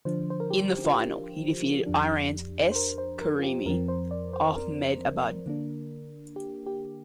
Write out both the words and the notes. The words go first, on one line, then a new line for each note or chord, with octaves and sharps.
In the final he defeated Iran's S Karimi Ahmedabad.
D3 F3 D4 C5
C5
A#4
G4
F4
G4
F2 F3 D4
C5
A#4
C5
A#4
F4
G4
F2 F3 C4 A#4
C5
D5
C5
A#4
D3 A#3 D4
G4
G4